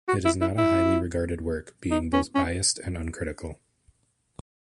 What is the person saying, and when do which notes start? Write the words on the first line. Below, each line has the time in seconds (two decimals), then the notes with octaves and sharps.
It is not a highly regarded work, being both biased and uncritical.
0.08 F#4
0.25 E4
0.41 E4
0.58 E4
1.91 D#4
2.13 C#4
2.35 C#4